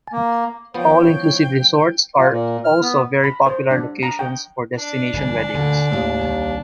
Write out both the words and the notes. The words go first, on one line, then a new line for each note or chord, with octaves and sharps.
All-inclusive resorts are also very popular locations for destination weddings.
A#3
F3 B3 C5 C#5 G5
F4
A#2
F6
B3
B5
C5
D4
A#5
G5
D4
G1 F2
D2 A#2 D3
D#2 A2 G#3
C2 D#3